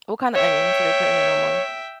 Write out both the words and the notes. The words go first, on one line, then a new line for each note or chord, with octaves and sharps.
What kinda onions do they put in there normally?
C#5 E5 G5